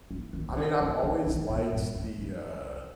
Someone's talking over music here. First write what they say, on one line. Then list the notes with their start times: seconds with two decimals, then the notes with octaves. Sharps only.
I mean, I've always liked the, uh
0.11 E3
0.33 D#3
0.49 C#3
0.57 D3
0.80 C#3
1.03 D3
1.26 D#3
1.49 A#2
1.72 G2
1.95 F#2
2.18 F2